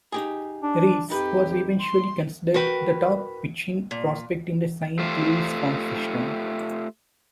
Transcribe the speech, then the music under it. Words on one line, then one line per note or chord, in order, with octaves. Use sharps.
Reyes was eventually considered the top pitching prospect in the Saint Louis farm system.
D#4 G4 G#4
D4
F2 D#4 G4 B4
C6
F#4 A#4 B4 G5
A#2
A3 F4 G4 C5